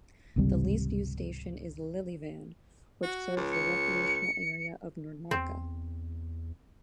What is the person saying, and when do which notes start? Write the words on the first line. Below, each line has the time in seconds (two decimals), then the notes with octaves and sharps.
The least-used station is Lillevann, which serves the recreational area of Nordmarka.
0.36 G#1 C#2 C3 G3
3.03 F#4
3.36 C#2
3.52 C#7
5.31 E2 C4